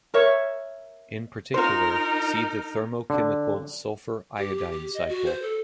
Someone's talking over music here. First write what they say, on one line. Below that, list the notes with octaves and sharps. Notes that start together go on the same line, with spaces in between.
In particular, see the thermochemical sulfur-iodine cycle.
A#4 C#5 E5
D#4 F4 A#4 C5
D3
G4
G4
G4
D#5
F#4
C5
A4